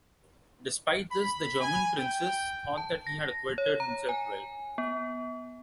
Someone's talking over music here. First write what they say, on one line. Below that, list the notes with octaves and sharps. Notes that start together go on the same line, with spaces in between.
Despite this, the German princes thought that he had acquitted himself well.
B5
G#5
G5
A5
A#6
C#5
A#5
G#5
B3